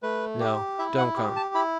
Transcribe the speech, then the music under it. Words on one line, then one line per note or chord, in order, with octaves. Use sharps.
"No. Don't come!"
A3 B4
G4
E4 E5
F#5
G4
A5
E4 B5